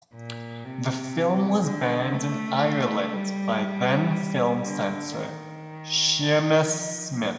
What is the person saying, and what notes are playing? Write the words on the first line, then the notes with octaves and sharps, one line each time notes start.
The film was banned in Ireland by then film censor Sheamus Smith.
A#2
C3
D3
A3
G3
D3
D#3
F3